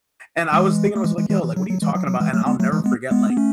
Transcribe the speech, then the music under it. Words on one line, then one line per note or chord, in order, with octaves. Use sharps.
and I was thinking I was like, "Yo, like what are you talking about?" And I'll never forget like,
E3 G#3
A3
E3 G#3
E3 G#3
E3 G#3
E3
F#3
F#3
E3 G#3
F#3
F#3
E3 G#3
F#3 A3
G#3 B3
F#3 A3
E3 G#3
G#3 B3
G#3 B3
B3
A3 C#4